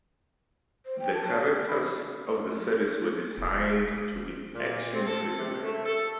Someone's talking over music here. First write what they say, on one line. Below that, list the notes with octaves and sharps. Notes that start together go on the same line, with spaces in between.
The characters of the series were designed to be "action-figure-like".
C5
G5
A5
C#5
A4
D5
B5
E1
A#2
C4
A4
C3
A3
A4